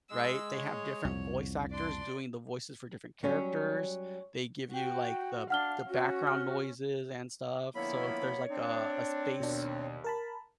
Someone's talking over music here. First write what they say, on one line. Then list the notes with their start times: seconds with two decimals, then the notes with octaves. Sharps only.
Right, they have different voice actors doing the voices for different characters. They give you, like, the the background noises and stuff, so if there's, like, uh, a space
0.11 G#3 E6
0.56 C#5
1.05 C2 F2
1.71 D4 D5 C6
3.23 F#3 G3 C#4 F#4
4.74 F#4 G5
5.50 D4 F5 F#5 F6 G7
5.89 C#4 F#4
6.27 F6
7.75 D3 F3 A#3 B3 E4 C#5 B5
8.50 C4 D4
9.40 D#2 B2 D4
10.04 A#4 A5 B5